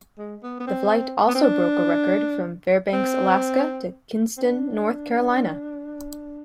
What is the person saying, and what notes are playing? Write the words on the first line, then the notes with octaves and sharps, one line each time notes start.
The flight also broke a record from Fairbanks, Alaska to Kinston, North Carolina.
G#3
B3
B3
C4
B3
C4
D4
C4
C4
D4